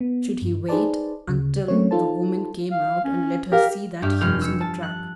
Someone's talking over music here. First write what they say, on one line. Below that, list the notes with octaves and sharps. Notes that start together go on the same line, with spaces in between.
Should he wait until the woman came out and let her see that he was on the track?
B3
G2
D#4 G#4 B4 C5 D5 A5
D2 C#3
F#3 A3 A#3 C4 C#4 C#5
D#4 F4 A4 C5 A5
F5
C#4
G4 A#4 F5
G2 G4 E5 F6 G6
F1 F6 G6
E6 C#7
A5
F#6